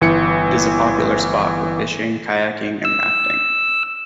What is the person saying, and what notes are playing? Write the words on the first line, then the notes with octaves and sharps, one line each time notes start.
It is a popular spot for fishing, kayaking, and rafting.
G1 E3 C#7
E6